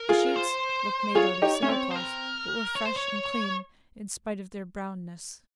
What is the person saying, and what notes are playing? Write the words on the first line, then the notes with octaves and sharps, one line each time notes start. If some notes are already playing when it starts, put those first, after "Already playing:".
The sheets looked made out of sail-cloth, but were fresh and clean in spite of their brownness.
Already playing: A#4
F4 G#4
C5
F4 G#4 C#5
D#4 G4
C#4
C4
C5
A#4
C#5
C5
C#5